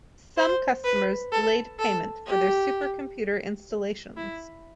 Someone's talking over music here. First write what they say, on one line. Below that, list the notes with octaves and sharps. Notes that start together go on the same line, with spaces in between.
Some customers delayed payment for their supercomputer installations.
C5
B4
A4
A4
G4
E4